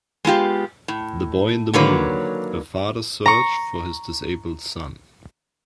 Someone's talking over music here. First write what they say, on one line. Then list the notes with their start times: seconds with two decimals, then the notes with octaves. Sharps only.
The Boy in the Moon: A Father's Search for His Disabled Son.
0.25 G#3 B3 F4 G4
0.88 A2
1.74 D3 D#3 F#3 A#3 B4 C#5
3.26 A#5 C#6